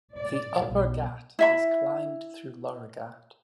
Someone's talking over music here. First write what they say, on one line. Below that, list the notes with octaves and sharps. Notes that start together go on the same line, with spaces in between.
The Upper Ghat is climbed through Loroghat.
D5
B1
E4 E5 B5